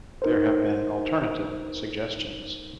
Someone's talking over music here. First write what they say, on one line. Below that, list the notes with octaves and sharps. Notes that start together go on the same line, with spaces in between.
There have been alternative suggestions.
D#4 A#4 C5